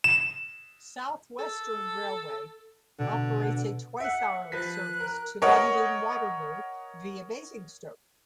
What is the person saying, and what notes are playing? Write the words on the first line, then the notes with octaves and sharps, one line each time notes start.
South Western Railway operates a twice-hourly service to London Waterloo via Basingstoke.
E7
A4
B2 D3
E5 F#5 F#6
F3 B4 F#6 B6
A#4
A#4 C#5 D#5 F#5